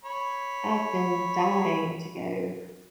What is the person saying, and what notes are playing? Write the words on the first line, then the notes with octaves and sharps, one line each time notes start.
I've been dying to go.
C#5 B5